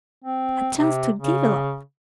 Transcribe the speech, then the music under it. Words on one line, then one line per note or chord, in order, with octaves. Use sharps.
"A chance to develop."
C4
C3
C#3